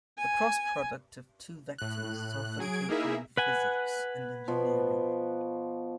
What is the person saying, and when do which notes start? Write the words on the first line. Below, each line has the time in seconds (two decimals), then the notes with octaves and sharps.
The cross product of two vectors is often taken in physics and engineering.
0.18 G#5
1.78 A2 F#6
2.59 F#3 G#4 G#6 D7
2.89 A#3 D#4 E4 G#4 A#4 E5
3.37 B4 F#5 G#5
4.48 B2 F3